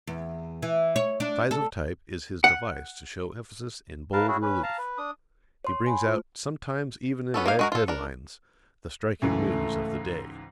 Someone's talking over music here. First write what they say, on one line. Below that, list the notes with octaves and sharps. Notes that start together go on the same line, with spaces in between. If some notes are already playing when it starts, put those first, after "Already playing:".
Size of type is his device to show emphasis in bold relief. He brings out sometimes even in red headlines the striking news of the day.
E2
E3
C#5
D4
A4
F#5
A#4 B4 F5 A5
C#4 E4 F#4 G#4
C#4 B4
F5 A5 A#5
B4
D4 D#6
C#5 C6
G#5 B5
A3 F4 C5
B3 C#4 A4
A#3 D#4 F5
G#3 F#4 A#4
F4 A4
D4 A#4
C#2 G#2 E3 A3 C#4